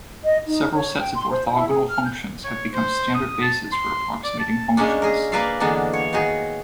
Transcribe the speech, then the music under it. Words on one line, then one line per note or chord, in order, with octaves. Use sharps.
Several sets of orthogonal functions have become standard bases for approximating functions.
D#5
D#4
C#5
G5
C6
C5
E4
G#4
F6
G6
C#5
C5
D#6
A5
C6
D5
A5
G#3 A#3 C#4 D4
G#4 A#4
A#3 A#4 B4 D5 E5 F5
D3 E3 G#3 A#3 B3 D4
C#5
D#3 D#4 F#4 G#4